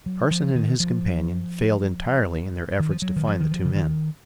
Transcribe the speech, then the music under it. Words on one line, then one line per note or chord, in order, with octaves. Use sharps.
Carson and his companion failed entirely in their efforts to find the two men.
F#3
F3
D#3
F3
D#3
F3
F#3
D#3
F3
D#3
F3
C#3
D#3